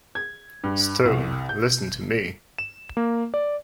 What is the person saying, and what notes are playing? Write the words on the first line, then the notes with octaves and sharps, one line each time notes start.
Stone, listen to me.
G#6
G2
C2
G6
E7
A#3
D5